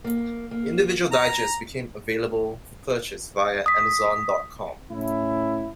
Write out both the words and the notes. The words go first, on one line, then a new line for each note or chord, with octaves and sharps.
Individual digests became available for purchase via amazon dot com.
A#3
A#3
A#5
D#6 B6
A2 C#4 E4